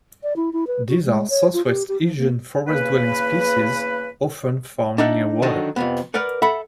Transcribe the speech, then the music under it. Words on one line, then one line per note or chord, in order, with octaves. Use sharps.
These are southeast Asian forest-dwelling species, often found near water.
D5
E4
E4
B4
F#4
G#3
C#5
F4
G4
G4
F3
A#3
E2 C#3 A#3 B4
D4 D#4 E5 F#5
D3 D#3 F#3 D4 D#4
F2 C3 B3
A#4 B4 D5 F#5
A4 E5 F#5 B5